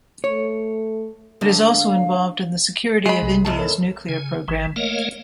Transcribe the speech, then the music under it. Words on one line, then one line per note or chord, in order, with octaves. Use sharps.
It is also involved in the security of India's nuclear programme.
A3 C#5
D3 G#3 A#3
F5
G#3 G#4 B5
B1 C3
E2 G#2 A5
A4 A#4 C#5
C#3 G#5
G#1 E3
A3 A#3 A#4 C#5 D#5 F5